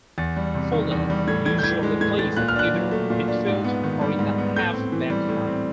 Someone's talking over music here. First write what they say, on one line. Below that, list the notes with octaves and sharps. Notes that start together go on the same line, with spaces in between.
Foley usually plays at either midfield or in the half-back line.
E2 A6
G3
C3
D#3
E2
G3
A2 G#6
A2 G#6
G6
E3 G#6
G#3
A2 G#6
A2 A6
A#2 F#6
F6
D4 F#6
F#3
A3
A#2
D4
G#2
B3
D#3
G3
G#2
B3
A2 G6
C4
E3
G3
A2
C4